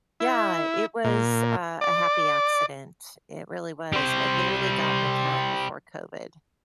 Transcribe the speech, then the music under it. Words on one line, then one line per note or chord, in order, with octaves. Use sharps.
Yeah, it was, uh, a happy accident, it really was. I literally got my cat before COVID,
E4
A#2
D5
G3 C5